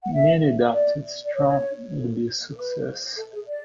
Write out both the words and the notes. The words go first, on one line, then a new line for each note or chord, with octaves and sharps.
Many doubted Strawn would be a success.
F#5
E5
D5
D5
C#5
A4
B4
A4
G#4
D5